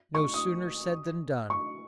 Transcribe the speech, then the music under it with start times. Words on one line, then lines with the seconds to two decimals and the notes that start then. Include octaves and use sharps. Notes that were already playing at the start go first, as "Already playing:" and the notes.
No sooner said than done.
0.15 C#6
0.34 D#6
1.50 C#6